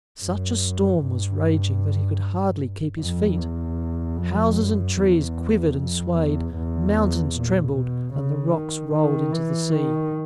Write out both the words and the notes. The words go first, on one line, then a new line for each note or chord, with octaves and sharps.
Such a storm was raging that he could hardly keep his feet; houses and trees quivered and swayed, mountains trembled, and the rocks rolled into the sea.
F#2
G2
F2
E2
F2
F#2
E2
F2
E2
E2
A#2
B2
C#3
D#3
D#3
E3
D#3